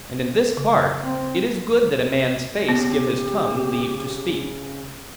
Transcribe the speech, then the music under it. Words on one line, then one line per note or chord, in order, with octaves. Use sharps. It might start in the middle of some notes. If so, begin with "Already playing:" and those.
And in this part, it is good that a man's face give his tongue leave to speak.
C#3
C4
C#3 B3 G4